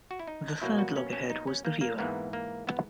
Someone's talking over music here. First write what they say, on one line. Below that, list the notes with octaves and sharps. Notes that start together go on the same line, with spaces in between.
The third loggerhead was the viewer.
F#4
E4
D#4
B2 F#3 A#3 E4
F#4
C#4
C#4
D#4
C#4
A#3
A#3
G#2 E3 A#3 B3
A#3
B3